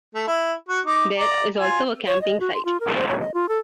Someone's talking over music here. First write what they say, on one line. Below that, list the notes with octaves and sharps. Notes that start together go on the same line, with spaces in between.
There is also a camping site.
A3
E4
F#4
D#4 D6
D5 A#5
F4 G#5
C#5
D#5
F#4
C6
F4
A#4
C5
C#5
D#5
F4
A4